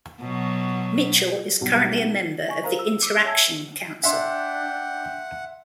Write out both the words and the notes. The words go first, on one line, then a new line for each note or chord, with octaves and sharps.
Mitchell is currently a member of the InterAction Council.
B2 F#3
B1 G3
G#5 C#6
A#4 C5 F5 A#5
E6
D6 E6
C#5 E5 G#5 A5 E6 G#6
D4 E5 F#5 G5 C6